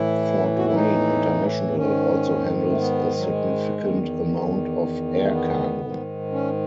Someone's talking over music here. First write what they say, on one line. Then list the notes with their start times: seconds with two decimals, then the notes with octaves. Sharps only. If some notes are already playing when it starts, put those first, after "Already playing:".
Fort Wayne International also handles a significant amount of air cargo.
Already playing: A2 E3 E4
0.57 F#4
0.66 E4
0.74 D#4
1.76 G#2 D#3 C#4
2.70 A3
2.77 B3
3.17 F#3
3.28 G#3
3.79 E2 D#3
5.21 A3
5.31 B3
5.82 G#2 D#3
6.32 C#4